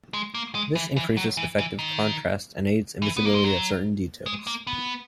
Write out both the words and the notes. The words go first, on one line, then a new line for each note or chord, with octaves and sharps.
This increases effective contrast and aids in visibility of certain details.
G#3
A#3
G#3
E3
E3
F#3
E3
E3
D#3
E3
B3
A#3
G#3
F#3
G#3
A#3
B3